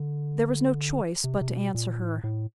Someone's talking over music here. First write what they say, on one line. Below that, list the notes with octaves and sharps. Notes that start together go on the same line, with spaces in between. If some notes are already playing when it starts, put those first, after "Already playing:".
There was no choice but to answer her.
Already playing: D3
C3
C3
B2
A#2
A2
A2